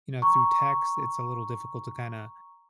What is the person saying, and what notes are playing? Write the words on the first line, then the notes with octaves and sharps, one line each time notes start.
you know, through text, it's a little difficult to kinda,
A#5 C#6